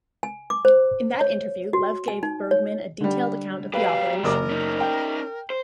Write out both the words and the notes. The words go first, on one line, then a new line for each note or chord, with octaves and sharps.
In that interview, Lev gave Bergman a detailed account of the operation.
G#5
D6
C5
C#5
F#4
G#5
D#4
C#5
D3 G3
F#3 G4 B4 F5
F#1 A#4 D6
C#4 D#4
G5
C5